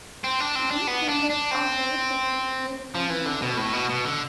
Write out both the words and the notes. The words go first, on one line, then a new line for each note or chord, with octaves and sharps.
These cymbals are very pretty, yet can be very nasty.
C4
D4
C4
D4
B3
D4
D4
C4
F3
E3
D3
B2
A2
B2
B2
D3